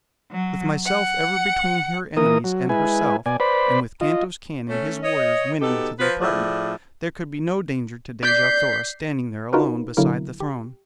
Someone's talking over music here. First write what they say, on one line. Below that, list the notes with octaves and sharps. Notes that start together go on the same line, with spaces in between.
With myself ever between her enemies and herself, and with Kantos Kan and his warriors winning to the apartment, there could be no danger to Dejah Thoris standing there alone beside the throne.
F#3
F#5
E3 A#3 A#4 D#6
F#3
G#3 E4 B4 G#5
B2 D5 G#5
B4 C5 D5 B5
F4 D#5
A3 C#4
C#5 D#5
B2 D#4 G4 A4
F3 B4
A2 F3 G#4 D5 E5
D5 G6 B6 C7
D#4 F4 F#4 A#4 B4 C#5
D3 F#3 A#3 E4 A#4
G4